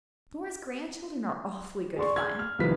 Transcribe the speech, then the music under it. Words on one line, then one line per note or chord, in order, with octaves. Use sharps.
Nora's grandchildren are awfully good fun.
G#4 D5 C6 C#6
G#6
F6
C2 D#3 F3 B4 B6